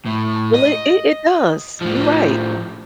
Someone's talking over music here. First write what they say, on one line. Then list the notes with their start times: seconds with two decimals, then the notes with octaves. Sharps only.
Well, it it does, you're right.
0.06 A2
0.54 D#5
1.81 A2 F3